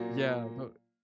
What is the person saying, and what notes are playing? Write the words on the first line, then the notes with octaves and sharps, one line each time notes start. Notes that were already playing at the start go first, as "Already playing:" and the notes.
yeah, but
Already playing: A#2 F#3 A#3